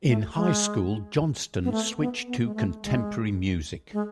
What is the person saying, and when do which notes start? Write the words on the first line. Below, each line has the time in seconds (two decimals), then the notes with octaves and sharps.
In high school, Johnston switched to contemporary music.
0.07 A3
0.35 G#3
1.64 B3
1.72 A3
2.00 B3
2.28 B3
2.44 G#3
2.55 A3
2.83 G#3
3.93 G#3